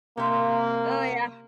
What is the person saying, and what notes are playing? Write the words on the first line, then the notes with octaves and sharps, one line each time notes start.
Oh, yeah.
C3 A#3 C4 E5